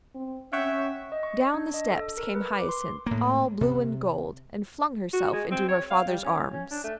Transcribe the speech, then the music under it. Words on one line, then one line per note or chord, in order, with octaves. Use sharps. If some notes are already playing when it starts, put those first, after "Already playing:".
Down the steps came Hyacinth, all blue and gold, and flung herself into her father's arms.
C4
C#4 C#5 E5 F#5 G5
D#5
C#6
D4
D#5
A4
A#4
B4
D6
C6
A2 A#3
C3
F#4
G#3
C4
C#5
F5
G3
C#4
C#4
D4
A3